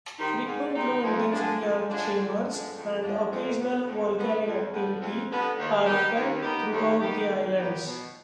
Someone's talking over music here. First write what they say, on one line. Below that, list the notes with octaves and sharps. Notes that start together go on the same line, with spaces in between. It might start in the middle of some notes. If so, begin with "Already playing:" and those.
Frequent low intensity earth tremors and occasional volcanic activity are felt throughout the islands.
D#3 G3 C4 D#4
G#2
D#3 G3 C4 D#4
F2
D3 F3 G#3 D4
F2
D3 F3 G#3 D4
F2
D3 F3 G#3 D4
F2
D3 F3 G#3 D4
F2
D3 G3 B3
F2
D3 G3 B3
F2
D3 G3 B3
F2
D3 G3 B3
D#2
D#3 B3 D#4 G4
D#2
D#3 B3 D#4 G4
D#2
D#3 B3 D#4 G4
D#2
D#3 B3 D#4 G4
B2